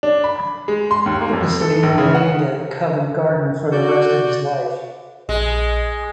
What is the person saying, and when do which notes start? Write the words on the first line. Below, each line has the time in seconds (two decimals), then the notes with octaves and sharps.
Hippisley remained at Covent Garden for the rest of his life.
0.03 D4
0.24 B5
0.68 G#3
0.91 C6
1.06 D#2
1.21 A#3
1.33 F2
1.61 A4
1.83 A#1
1.98 C#3
2.15 F#5
3.72 F#4 D5 G6
5.29 A#1 G#3 D#5